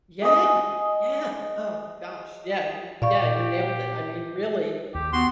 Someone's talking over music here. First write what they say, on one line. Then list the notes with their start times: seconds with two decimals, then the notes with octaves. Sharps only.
Yeah. Yeah. Oh gosh, yeah, you yeah, you nailed it. I mean, really,
0.22 G#4 D#5
3.02 A#2 G4 D5 F5 C#6
4.95 D#2 G4
5.13 B3 F#4 C6